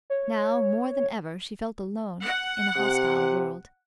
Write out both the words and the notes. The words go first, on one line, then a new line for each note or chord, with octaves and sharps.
Now, more than ever, she felt alone in a hostile world.
C#5
F#5
C3